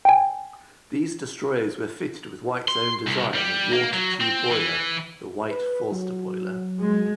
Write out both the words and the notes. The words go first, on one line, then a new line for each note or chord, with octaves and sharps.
These destroyers were fitted with White's own design of water-tube boiler, the White-Forster boiler.
G5 G#5
C6
C2
G3
A#3
F#3
C4
E3
B4
F#3
G#3